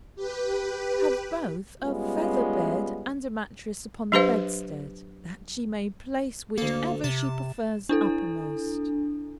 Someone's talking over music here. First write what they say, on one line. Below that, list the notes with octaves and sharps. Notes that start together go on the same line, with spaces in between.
Have both a feather bed and a mattress upon the bedstead, that she may place whichever she prefers uppermost.
G4 B4
G3 G#3 B3 C#4 F4
F#3 D4 G4 B4 C5 F5
D2 A#3 A4
C3 A5
D4 E4 A4